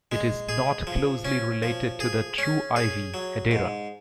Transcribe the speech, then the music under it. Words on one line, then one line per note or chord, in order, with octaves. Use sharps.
It is not closely related to the true ivy, "Hedera".
G#3
G#4
F3
C#4
F3
G#4
C#4
G#4
F#3
G#2